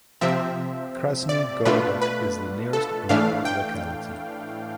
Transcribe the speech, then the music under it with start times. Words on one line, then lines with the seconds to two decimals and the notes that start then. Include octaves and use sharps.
Krasny Gorodok is the nearest rural locality.
0.21 C3 F3 C4 E5
1.29 D5
1.65 B2 A3 D4 F4 B4
2.02 B4
2.73 A4
3.09 A2 E3 A3 D4 F5
3.45 G5